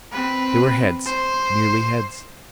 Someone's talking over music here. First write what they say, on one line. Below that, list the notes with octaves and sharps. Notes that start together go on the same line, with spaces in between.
They were heads--merely heads.
C4 B4
C5